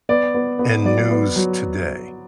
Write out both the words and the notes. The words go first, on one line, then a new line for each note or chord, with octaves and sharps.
in news today?
B3 D5
B3
B3
F#3 D5
B3
F#3